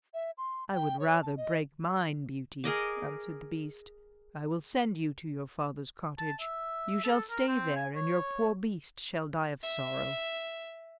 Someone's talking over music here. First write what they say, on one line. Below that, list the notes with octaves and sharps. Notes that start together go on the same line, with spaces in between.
"I would rather break mine, Beauty," answered the beast; "I will send you to your father's cottage: you shall stay there, and your poor beast shall die of sorrow."
E5
C6
G5
C#5
A5
D#5
G#4 A#4 D#5 D6
A5
E5
A4
A#4
C4
G#5
C#5
E5